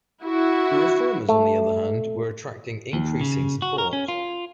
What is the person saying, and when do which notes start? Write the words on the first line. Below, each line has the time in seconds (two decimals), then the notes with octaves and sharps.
The reformers, on the other hand, were attracting increasing support.
0.22 E4 F#4
1.29 A3
2.93 D#2
3.21 C#3
3.62 F#4
3.78 A#4
3.93 C#4
4.08 F4